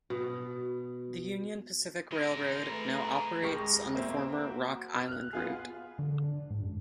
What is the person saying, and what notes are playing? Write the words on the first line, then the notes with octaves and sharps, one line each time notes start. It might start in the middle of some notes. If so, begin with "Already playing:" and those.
The Union Pacific Railroad now operates on the former Rock Island route.
B2
G#3 A#4
A3 B4 A#5
D#1 G#3 G4 A#4 C#6 A#6
A#3 C4 A#4 E5
F#4
F6 F#6
B3 F4 G#4
D3
D3
D4
G#2
F#2